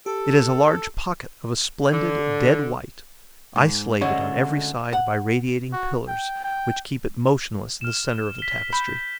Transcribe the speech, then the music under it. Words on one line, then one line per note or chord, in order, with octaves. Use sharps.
It is a large pocket, of a splendid dead-white, isolated on every side by radiating pillars which keep it motionless in the centre of the tapestry.
G4 A4
D3
G#2
D2 D3 G#3 C#4 D#5
F#5
F#4
G5
G5
F6 E7
B6 G7
B5 G6 G7